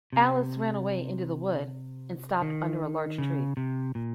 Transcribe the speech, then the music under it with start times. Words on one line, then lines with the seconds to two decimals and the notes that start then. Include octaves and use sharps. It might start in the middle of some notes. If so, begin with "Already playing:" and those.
Alice ran a little way into the wood, and stopped under a large tree.
0.13 C3
2.42 D#3
3.18 C#3
3.57 C3
3.95 A#2